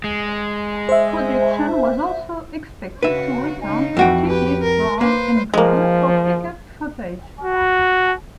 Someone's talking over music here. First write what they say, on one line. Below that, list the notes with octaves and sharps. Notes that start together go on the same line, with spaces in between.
Production was also expected to return to Geebee's Bar and Grill for pick-up footage.
G#3
C5 E5
C#3 F#4 B4 E5
C#3 D#4
F2 E3 F#4 G5
G4 B4
A#4
A#3 B4 C5
F3 G#3 A#3
F#4